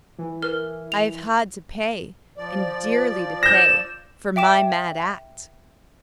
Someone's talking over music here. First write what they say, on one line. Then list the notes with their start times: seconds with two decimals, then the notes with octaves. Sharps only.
I have had to pay, and dearly to pay, for my mad act.
0.19 E3
0.42 A#4 B4 F6
0.92 F7
2.37 F3 D5
3.43 G6 A#6 E7
4.36 E5 G5 D6 E7